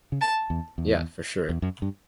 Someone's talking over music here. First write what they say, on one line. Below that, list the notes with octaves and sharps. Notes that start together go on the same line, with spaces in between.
Yeah, for sure.
C#3
A5
E2
E2
E2
F#2
G2